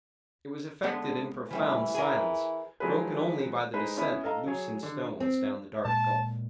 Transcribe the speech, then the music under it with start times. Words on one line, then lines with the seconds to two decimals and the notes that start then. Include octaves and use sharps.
It was effected in profound silence, broken only by the descent of loosened stones down the dark gulf.
0.83 D3 G#3 B3 F#5
1.51 C#3 E3 G3 A3
1.95 G#4 A#4
2.80 D#3 F3 F#3 G#3 G#4 B4
3.74 G#3 D#4 B4 C5
3.96 B3 C#4 E4 B4 C#5
4.24 A4 D#5 F5 A#5
4.47 F#3 G#4 C#5
4.83 D3
5.20 C4
5.85 A#2 G#3 A5